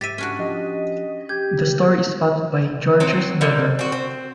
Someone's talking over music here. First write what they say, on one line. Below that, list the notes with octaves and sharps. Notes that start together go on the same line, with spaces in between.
The story is followed by "George's Mother".
G#2 G4 E5 A6 B6 D#7
C#4 D4 F#4
F3 G4 D#5
G4 G6 G#6
F#3 C4
D3 D#3 G3
C4 F#4
C4